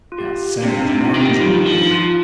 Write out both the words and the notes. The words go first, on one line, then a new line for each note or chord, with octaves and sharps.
How savage Morringer will be!
F4
G4
F4
C3 D4
D#4
C3
F4
D#3
G4
G3 F4
F3
D#3
F3 D#4
F4